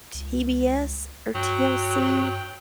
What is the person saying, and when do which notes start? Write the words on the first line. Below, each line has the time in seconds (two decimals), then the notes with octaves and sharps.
TBS or TLC.
0.15 C#2
1.35 G2 F#3 G5